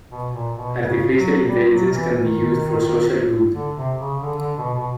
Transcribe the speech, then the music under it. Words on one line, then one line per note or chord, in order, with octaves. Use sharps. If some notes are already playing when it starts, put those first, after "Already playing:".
Artificial Intelligence can be used for social good.
B2
A#2
B2
C#3
F#3
G3
F#3
E3
D#3
D3
C3
C#3
D3
D3
B2
B2